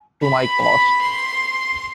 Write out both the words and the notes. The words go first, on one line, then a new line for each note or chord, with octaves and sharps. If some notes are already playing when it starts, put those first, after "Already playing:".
To my cost.'
B5
B5
C6